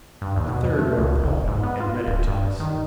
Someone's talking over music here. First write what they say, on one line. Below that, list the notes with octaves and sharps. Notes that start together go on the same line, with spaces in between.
A third wrote a poem and read it to us.
G2
D#2
B2
A3
C#2
F1
G#2
B3
F4
D1
G2
D#3